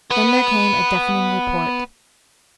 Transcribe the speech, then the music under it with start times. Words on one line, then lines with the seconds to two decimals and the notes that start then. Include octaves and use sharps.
Then there came a deafening report.
0.11 B3 B4